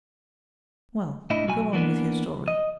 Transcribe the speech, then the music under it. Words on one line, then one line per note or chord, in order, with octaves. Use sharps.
"Well, go on with your story."
A2 D4 E4 D#5
B1 F#4 G#5
E3 A#3 B3 D4
D#5